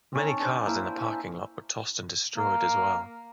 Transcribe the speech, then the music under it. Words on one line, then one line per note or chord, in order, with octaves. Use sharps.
Many cars in the parking lot were tossed and destroyed as well.
C4 C#4 D#4
A4
D4 C5
A#3 E4
E5 G#5
A#3